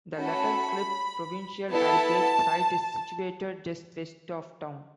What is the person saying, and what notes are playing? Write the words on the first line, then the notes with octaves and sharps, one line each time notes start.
The Letterklip provincial heritage site is situated just west of town.
A3 C#4 F#4 A4 B5
B3 E4 A4 A5